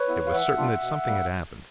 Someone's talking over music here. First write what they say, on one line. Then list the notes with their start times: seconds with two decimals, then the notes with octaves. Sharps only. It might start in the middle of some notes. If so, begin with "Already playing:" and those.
It was certain that something had happened.
Already playing: B4 C#5
0.08 B3 E4
0.26 F5
0.32 E3 E5 F#5
0.57 G3 A#3 D4 F4
0.81 B2
1.06 G3 A#3